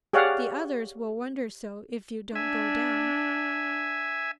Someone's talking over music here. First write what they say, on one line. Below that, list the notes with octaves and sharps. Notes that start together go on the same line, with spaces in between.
The others will wonder so if you don't go down.
G4 G#4 C#5 D5 F5 F#5
D4 E5 G#5